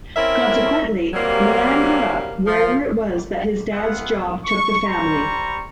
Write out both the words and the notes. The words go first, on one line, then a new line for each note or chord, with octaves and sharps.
Consequently, Milan grew up wherever it was that his dad's job took the family.
C4 C#4 E4 A#4 E5
C3 F#3 G3 A#3
F3
B3 F4 G#4 E5 F#5
C#6
G3 C5 A#5 B5 C#6